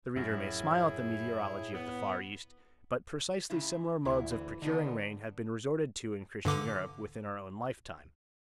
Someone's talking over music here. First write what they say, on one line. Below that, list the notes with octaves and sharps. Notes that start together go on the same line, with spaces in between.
The reader may smile at the meteorology of the Far East; but precisely similar modes of procuring rain have been resorted to in Christian Europe within our own lifetime.
F#2 A2 E4 G#4
B3
G#2 C#3 E4
D2 E4
E3
D3 B3 D4 D#4
G2 D3 D6